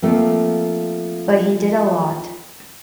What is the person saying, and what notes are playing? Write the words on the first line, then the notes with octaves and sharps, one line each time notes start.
But he did a lot.
F3 A3 A#3 C4